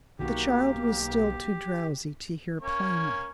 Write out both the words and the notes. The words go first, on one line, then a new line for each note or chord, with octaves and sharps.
The child was still too drowsy to hear plainly.
B1 D#3 A#3 F#4 G4
A#3 C#4 C#6